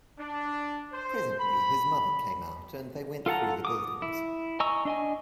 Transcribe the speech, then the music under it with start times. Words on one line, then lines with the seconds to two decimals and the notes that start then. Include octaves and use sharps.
Presently his mother came out, and they went through the buildings.
0.19 D4
0.93 C5
1.39 B5
3.26 F4 A4 F#5 A5 A#5
3.65 D6 D#6
4.02 E4
4.60 D#5 G#5 A#5 C#6 E6
4.85 D4 D#5 G#5